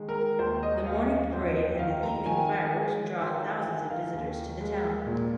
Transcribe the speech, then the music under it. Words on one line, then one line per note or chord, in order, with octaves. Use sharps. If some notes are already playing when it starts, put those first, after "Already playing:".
The morning parade and the evening fireworks draw thousands of visitors to the town.
Already playing: D#3 G#3
A#4
D#2 C5
D#5
D#2 F5
D#5
F2 C5
D#5
D#3 F5
A#5
D#3 G#5
G#3
D#3 C5
F5
D#3 G#5
F5
D#2
G#3
A#2